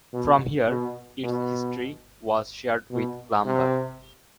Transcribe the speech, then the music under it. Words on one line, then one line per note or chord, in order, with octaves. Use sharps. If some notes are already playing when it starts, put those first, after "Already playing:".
From here its history was shared with Clumber.
B2
B2
B2
B2
C3